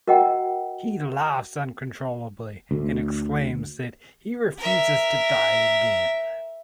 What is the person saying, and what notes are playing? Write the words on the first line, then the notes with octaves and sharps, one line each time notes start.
He laughs uncontrollably, and exclaims that he refuses to die again.
F#4 A#4 D#5 F#5 G5 A#5
D2
A#4 E5